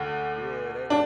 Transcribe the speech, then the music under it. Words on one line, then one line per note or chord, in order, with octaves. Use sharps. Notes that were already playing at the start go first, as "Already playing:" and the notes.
Yeah, they,
Already playing: D2 D3
D4